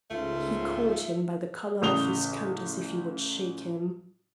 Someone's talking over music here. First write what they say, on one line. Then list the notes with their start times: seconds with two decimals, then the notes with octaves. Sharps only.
He caught him by the collar of his coat as if he would shake him.
0.11 C#2 G#2 A3 F4
1.82 A1 C#3 D#6 F7 G7